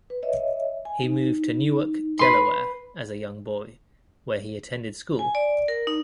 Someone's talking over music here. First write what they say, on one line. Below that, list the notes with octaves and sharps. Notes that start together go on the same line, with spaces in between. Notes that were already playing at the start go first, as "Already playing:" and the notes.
He moved to Newark, Delaware as a young boy, where he attended school.
B4
C#5 D#5 E5
G#5
D#4
B4 C6
G#5
D5
A#4
D#4